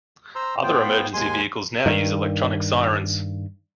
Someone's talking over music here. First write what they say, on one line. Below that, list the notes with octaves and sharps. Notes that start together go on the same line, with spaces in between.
Other emergency vehicles now use electronic sirens.
C5 A#5 C6 E6
A2 B3 F4 C5 G5
D#2 G#3 G#5 C6
G2 D#3